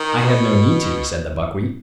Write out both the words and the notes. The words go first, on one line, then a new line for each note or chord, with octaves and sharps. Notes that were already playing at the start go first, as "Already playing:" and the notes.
"I have no need to," said the buckwheat.
Already playing: D#3
B2